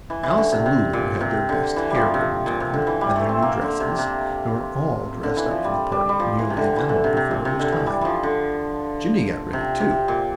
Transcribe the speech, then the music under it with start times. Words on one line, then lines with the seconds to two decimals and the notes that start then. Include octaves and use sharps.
Alice and Lulu had their best hair ribbons on and their new dresses, and were all dressed up for the party nearly an hour before it was time. Jimmie got ready, too.
0.10 E3
0.23 E3
0.38 D3
0.52 C3
0.66 C3
0.93 A#2
1.21 C3
1.49 D3
1.76 E3
1.91 F3 G3
2.14 C3
2.46 A#2
2.60 C3
2.74 D3
2.87 E3
3.01 G3
3.16 A3
3.29 C4
3.42 A#3
3.62 D3
3.80 C3
3.98 C3
5.23 D3
5.37 E3
5.51 F3
5.64 G3
5.92 G3
6.09 G3
6.20 F3
6.39 E3
6.50 C3
6.57 D3
6.76 E3
6.89 D3
7.04 C3
7.17 C3
7.31 A#2
7.45 C3
7.59 D3
7.72 E3
7.87 G3
8.01 E3 F3
8.23 D3
9.53 C3
9.80 C3
10.08 A#2